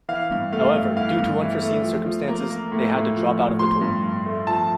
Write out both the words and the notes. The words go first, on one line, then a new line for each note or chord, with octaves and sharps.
However, due to unforeseen circumstances they had to drop out of the tour.
E3 F5
G2
A3 F5
G2
E3 F5
G2
E3
A3
F3
F3
A#3
A#3
A2
A2
F3
A2
F3 C6
G2
G2
A3
F3 A5